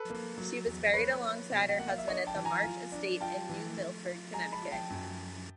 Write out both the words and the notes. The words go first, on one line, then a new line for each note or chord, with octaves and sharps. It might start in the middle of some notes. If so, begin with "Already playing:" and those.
She was buried alongside her husband at the March Estate in New Milford, Connecticut.
Already playing: A4 B4
A#3
F#3
E2
A#3 B4 C#5
A#3
B2
G5
A#3 F#5
F5
E5
D4 C#5 D#5
G5 A5
E3
G#5 A#5
F4
D4
F4 G5 A5
E3
A3
F4
G#3 G#5 A#5
A5 B5
F3
G5 A5
F#2